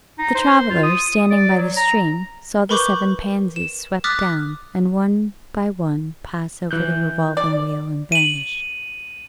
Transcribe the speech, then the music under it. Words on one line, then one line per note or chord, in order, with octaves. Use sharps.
The traveller, standing by the stream, saw the seven pansies swept down, and one by one pass over the revolving wheel and vanish.
D#4
C5
F4
D#6
D5
F#3
A#5
A#4 B4 B5 C#6 D6 G6
E7
D6 D#6 F6 F#6 A6 B6
E3 F#6 G6
D5
D#7 F#7